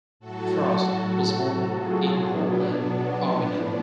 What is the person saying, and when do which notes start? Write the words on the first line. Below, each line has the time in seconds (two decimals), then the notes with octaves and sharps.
Frost was born in Portland, Oregon.
0.20 A2 F#3 F#4 A4
1.21 A2 F#3
1.71 F4 G#4
2.21 B2 F#3 B3 D4
3.22 A2 F3